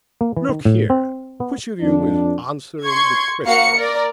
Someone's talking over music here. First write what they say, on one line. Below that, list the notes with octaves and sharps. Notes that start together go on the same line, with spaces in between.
"Look here, which of you is answering the question?"
A#3
E3
D#3
A2
C4
B3
F2 D4
C6 C#6 G#6
A#3 F#4 F5 C#7
A#4 D5